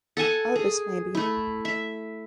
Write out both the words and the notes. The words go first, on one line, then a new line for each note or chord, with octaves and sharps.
Elvis maybe.
A4 F#5 G#5 A5
G#4
A3 E4
E5